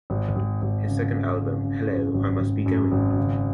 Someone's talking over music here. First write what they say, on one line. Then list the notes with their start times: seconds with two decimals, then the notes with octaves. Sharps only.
His second album, Hello, I Must Be Going!
0.10 G#1
0.36 G#1
0.62 G#1
0.87 C#3
1.12 C#3
1.38 C#3
1.64 C#3
1.90 F#2
2.14 G#1
2.40 G#1
2.66 F#2
2.92 G#1
3.17 C#3